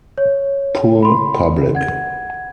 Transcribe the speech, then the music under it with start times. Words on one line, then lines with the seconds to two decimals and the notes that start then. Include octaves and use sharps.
Poor public!
0.18 C#5
1.02 B5 C6
1.75 F#5 G#6